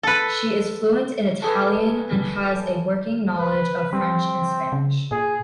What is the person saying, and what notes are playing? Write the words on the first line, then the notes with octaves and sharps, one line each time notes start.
She is fluent in Italian and has a working knowledge of French and Spanish.
A4 B4
A3 G#4 A4 B4
B4
G3 C4
C#3
A#2 G#4